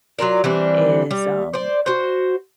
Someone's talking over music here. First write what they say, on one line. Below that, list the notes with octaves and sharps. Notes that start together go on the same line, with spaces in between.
is, um,
F#3 F4 A#4 D5
E3 G3 C4 D4
G3
C5 D5
F#4 C5